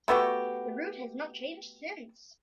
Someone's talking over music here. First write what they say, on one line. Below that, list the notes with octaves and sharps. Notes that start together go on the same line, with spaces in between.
The route has not changed since.
A3 B3 F#4 G4